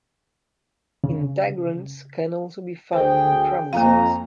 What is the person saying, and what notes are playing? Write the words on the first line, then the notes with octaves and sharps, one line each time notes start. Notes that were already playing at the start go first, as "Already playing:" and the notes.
Integrons can also be found in chromosomes.
C#3
D2 G#4 C5 G5
F2 A#3 F4 F5 A#5